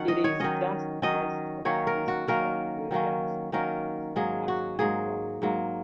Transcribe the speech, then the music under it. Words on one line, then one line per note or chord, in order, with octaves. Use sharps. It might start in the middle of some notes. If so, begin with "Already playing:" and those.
It is just west of the East Fork Williams Fork in an aspen forest.
Already playing: D#3 F#3 C#4 F#5
D#5
C#5
D#3 F#3 C#4 D#5
D#3 F#3 C#4 D#5
D#3 F#3 A#3 C#4 C#5
A#4
F#4
D#3 F#3 A#3 C#4 A#4
D#3 F#3 A#3 C#4
D#3 F#3 A#3 C#4 A#4
G#2 F#3 A#3 G#4
F#4
G#2 F#3 A#3 G#4
G#2 F#3 A#3